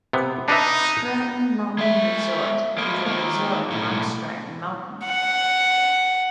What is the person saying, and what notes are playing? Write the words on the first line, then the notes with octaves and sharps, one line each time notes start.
Stratton Mountain Resort is a resort on Stratton Mountain.
C3 B3
D4 D#4 B4 E5
G#3 E5
G#3 A#3
A#3 D#4
B1 A2
F#5